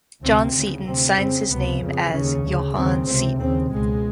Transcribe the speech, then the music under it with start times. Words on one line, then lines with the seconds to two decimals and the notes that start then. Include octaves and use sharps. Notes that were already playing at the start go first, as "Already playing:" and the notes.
John Seton signs his name as "Johan Seton".
0.22 D2 C3 C4
0.54 D2 C#3
0.85 D2 C3 C4
1.17 F2 C#3 C4
1.49 C#2 C3 B3
1.81 F2 C#3
2.12 D#2 C#3 C#4
2.44 D2 C#3
2.76 D#2 C#3 C4
3.07 C#2 C3 C4
3.39 D#2 C#3 C4
3.71 C#2 B2 G#3